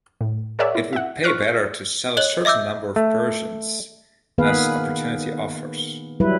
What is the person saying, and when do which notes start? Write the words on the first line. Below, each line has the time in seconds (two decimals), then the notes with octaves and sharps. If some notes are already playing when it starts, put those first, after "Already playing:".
It would pay better to sell a certain number of Persians as opportunity offers.
0.21 A2
0.59 G#4 A#4 C#5 D5 E5 F#5
0.75 E4
0.93 E5 F#5
1.23 C5 C#6 F6 F#6
1.44 G6
2.17 C#5 D#5 F#6 F#7 G7
2.45 D#5 E5 D6 E6 G6
2.96 A3
4.38 D#3 A#3 B3 G#4 B4 F5
6.20 F#3 G3 E4 B4